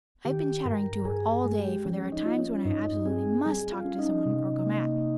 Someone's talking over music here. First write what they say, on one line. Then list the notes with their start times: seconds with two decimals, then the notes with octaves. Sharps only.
I have been chattering to her all day, for there are times when I absolutely must talk to someone or go mad.
0.25 D#3 G4
0.65 G2 A#4
1.05 G2 G#4
1.32 G#4
1.45 G#3
1.59 G4
1.85 F3 C#4
2.12 D#4
2.25 F4
2.38 C#4
2.65 G2 D#4
3.06 C4 G#4
3.45 G3 G#4
3.72 F4
3.85 C#4
3.99 D#4
4.25 C3
4.66 A#3